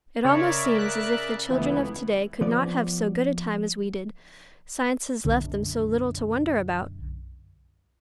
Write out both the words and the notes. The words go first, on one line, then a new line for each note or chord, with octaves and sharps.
It almost seems as if the children of to-day could not have so good a time as we did, science has left them so little to wonder about.
C#3 A#4 C#5 D5 E5
F#6
C#2 E3 A3 B3 E4
F3 B3 D5
B1 F#2 D3